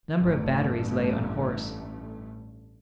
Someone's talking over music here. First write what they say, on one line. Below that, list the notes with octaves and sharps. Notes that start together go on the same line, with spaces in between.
A number of batteries lay unhorsed.
A1 G2 A3